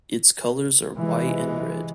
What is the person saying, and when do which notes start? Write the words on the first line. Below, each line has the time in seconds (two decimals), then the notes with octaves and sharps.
Its colors are white and red.
0.97 C3 E3 G#3